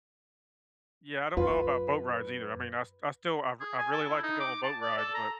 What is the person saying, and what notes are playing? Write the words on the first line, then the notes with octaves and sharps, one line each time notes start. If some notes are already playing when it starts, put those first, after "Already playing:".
Yeah, I don't know about boat rides either. I mean, I st I stilI I've I've really like to go on boat rides, but,
F#2 F4 B4
G#4
G#5
A4
E4
D#4
D6
A5
D5
A4
A#5